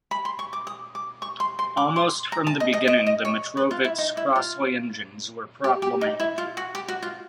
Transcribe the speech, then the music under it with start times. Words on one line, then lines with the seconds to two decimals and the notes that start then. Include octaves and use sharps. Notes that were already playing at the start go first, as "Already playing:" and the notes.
Almost from the beginning the Metrovick's Crossley engines were problematic.
0.11 B5
0.25 C6
0.39 C#6
0.53 D6
0.67 D#6
0.95 D6
1.22 C#6
1.40 C6
1.59 C6
1.77 D6
1.96 C6
2.32 A#5
2.47 A5
2.60 D#5
2.73 D#5
2.88 D#5
3.06 D#5
3.25 C#5
3.57 B4
3.71 F4
3.84 E4
3.98 D#4
4.17 E4
4.36 F4
5.64 G4
5.82 G4
6.01 D#4
6.20 E4
6.38 F4
6.57 F#4
6.75 G4
6.88 F#4
7.03 F4